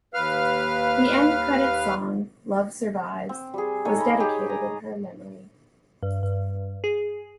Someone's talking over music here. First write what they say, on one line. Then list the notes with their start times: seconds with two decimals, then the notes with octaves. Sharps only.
The end credits song "Love Survives" was dedicated in her memory.
0.14 D#2 B4 F5 F6
3.29 C4
3.54 G3 G#4
3.85 D#4 A4 C#5 G#5
3.97 D#5 A#5 B5
4.20 D#4 G4 G#4
4.46 G#5 A#5
6.03 G2
6.23 G2
6.84 G#4